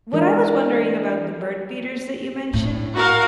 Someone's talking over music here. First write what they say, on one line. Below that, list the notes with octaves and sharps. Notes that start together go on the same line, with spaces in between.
What I was wondering about the bird feeders that you mentioned,
E3 G#3 D4 A#4
A2
F#4 A#4 F5